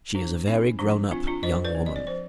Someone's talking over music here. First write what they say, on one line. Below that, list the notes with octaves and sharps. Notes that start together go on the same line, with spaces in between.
She is a very grown-up young woman.
F3 D4
C4 D#4
F3 D4
C4 D4 F4
D4 F4
F3 C5 D#5
B4 D5
C4
D#5
D5
F3 C5